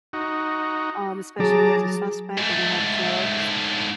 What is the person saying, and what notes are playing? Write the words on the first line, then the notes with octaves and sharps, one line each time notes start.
um, especially when there's a suspect or they have drugs,
D#4 F#4
F#3 G#4 A5 A#5 D6
G#2 A3